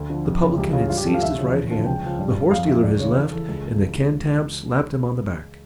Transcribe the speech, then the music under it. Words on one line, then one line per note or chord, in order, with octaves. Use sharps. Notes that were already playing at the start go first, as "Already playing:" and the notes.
The publican had seized his right hand, the horse-dealer his left, and the Cantab slapped him on the back.
Already playing: D2
D3 F3
F2
C#3 E3
C#2 G4
C#3 E3 F4
G2 F4
G4
F3 A4
F5
D2 E5
C#3 F3
E2
D3 F3
C#2 G5
C#3 F3
G2
F3
F2 F5
E3 E5
C#2 D5
C#3 E3 C#5
E2
E3 A4
C#2